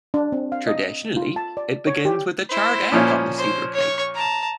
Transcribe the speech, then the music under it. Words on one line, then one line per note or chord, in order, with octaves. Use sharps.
Traditionally it begins with the charred egg on the Seder plate.
D4
C4
F5
D#5
F4
A5
D5
C#5
G4
E4 C5
A#2 F3 C#4
C5
C#5 C#6
A5 A#5